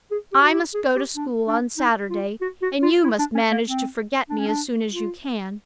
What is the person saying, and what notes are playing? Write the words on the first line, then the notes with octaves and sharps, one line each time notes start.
I must go to school on Saturday, and you must manage to forget me as soon as you can.
G#4
G4
F#4
G4
G#4
G4
D4
D4
D#4
F4
F#4
F#4
F4
E4
D4
C#4
A#3
C4
D4
C#4
D4
F4